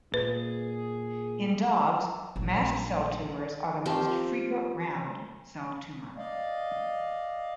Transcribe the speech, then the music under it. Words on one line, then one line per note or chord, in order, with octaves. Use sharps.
In dogs, mast cell tumors are the most frequent round cell tumor.
A#2 G#4 B4
A#1
F3 C4 F4 G4
D5 D#5 F5